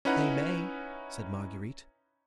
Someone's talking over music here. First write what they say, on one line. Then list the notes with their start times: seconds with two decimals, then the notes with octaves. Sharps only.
"They may," said Marguerite.
0.05 C#4 D#4 E4 B4 F#5 A#5